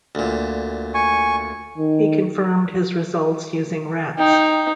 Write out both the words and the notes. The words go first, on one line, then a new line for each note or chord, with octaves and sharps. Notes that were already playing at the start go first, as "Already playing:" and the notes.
He confirmed his results using rats.
D2 A#2
G#5 C#6
D#3
D#4 G5